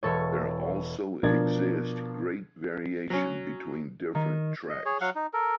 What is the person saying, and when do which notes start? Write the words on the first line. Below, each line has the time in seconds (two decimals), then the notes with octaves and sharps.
There also exists great variation between different tracks.
0.03 E1 A4 C#5
1.23 B2 F3 D4 A#4 G#6 A6
3.10 F#3 C#4
4.15 D#3
4.69 D#5
4.85 G#4 C#5
5.01 F#3 F5 F#5
5.16 D#4
5.33 A4 A#4